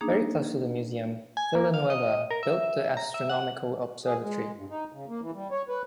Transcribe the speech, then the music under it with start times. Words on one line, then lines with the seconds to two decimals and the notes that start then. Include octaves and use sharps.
Very close to the museum, Villanueva built the Astronomical Observatory.
0.01 A#3 D4 D#4 G#4
1.37 G#5
1.55 A#3
1.74 F5
1.90 D#5
2.31 A#4
2.43 E5
2.97 A#5
3.14 E5
3.30 F#5
4.06 G#4
4.21 G#3
4.56 G2
4.70 D#4
4.93 C#3
5.09 A#3
5.21 E3
5.34 G3
5.51 C#5
5.69 B4